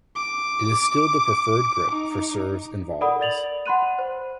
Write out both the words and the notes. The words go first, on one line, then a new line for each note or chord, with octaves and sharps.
It is still the preferred grip for serves and volleys.
D6
D#4
A4 A#4 D5 F#5 B5 D#6
D5 A6 F7 F#7
F#5 B5 C6 F#6 D#7
C5